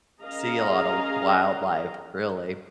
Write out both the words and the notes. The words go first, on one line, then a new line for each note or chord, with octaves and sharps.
see a lot of w wildlife, really.
C#4 G#4 A#4 D#5 F5 A#5